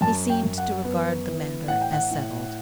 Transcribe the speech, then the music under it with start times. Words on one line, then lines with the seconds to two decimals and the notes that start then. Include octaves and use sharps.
He seemed to regard the matter as settled.
0.01 F#2 A5
0.29 G5
0.43 F#2
0.58 F#5
0.85 B3
1.27 E3
1.68 A2 F#5
1.81 G5
1.93 F#5
2.11 A2